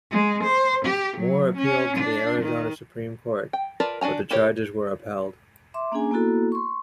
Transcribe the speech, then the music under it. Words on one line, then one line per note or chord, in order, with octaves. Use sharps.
Moore appealed to the Arizona Supreme Court but the charges were upheld.
G#3
C5
G4
F#3
C#4
D4
D#3
G5
F4 A#4 B4 D5 A5
D4 F#4 G#5 A#5
E4 G4 A#4 C#5
E5 C6 D6
A#3 C#4 D4 G#4 G#5
A#3 B3 E4 F#4 A4
C6 C#6